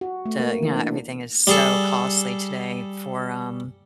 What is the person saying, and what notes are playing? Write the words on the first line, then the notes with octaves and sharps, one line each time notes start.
to you know, everything is so costly today for, um,
F#4
A3
A#3
E3
D4
G3 G#4 A4